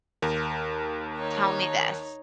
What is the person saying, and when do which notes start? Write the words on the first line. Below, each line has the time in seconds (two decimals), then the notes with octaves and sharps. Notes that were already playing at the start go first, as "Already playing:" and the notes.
tell me this."
0.22 D#2 A#4
1.17 D#4 C#5